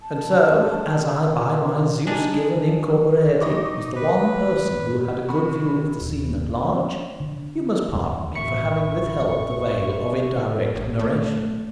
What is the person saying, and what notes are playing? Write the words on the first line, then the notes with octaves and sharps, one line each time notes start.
And so, as I by my Zeus-given incorporeity was the one person who had a good view of the scene at large, you must pardon me for having withheld the veil of indirect narration.
A5
D4 D#4 G#4
D#4 D#5 C#6 D6
B4
C3 B5 C#6
D#1
F3
D3
E2
A1 E5 B5 C#6 C#7
A1
A3